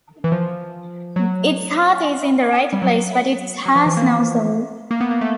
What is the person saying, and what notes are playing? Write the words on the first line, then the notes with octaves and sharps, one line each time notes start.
Its heart is in the right place, but it has no soul.
E3
F3
F#3
G3
F#3
F#3
F3
E3
A#3
A#3
B3
A#3
A3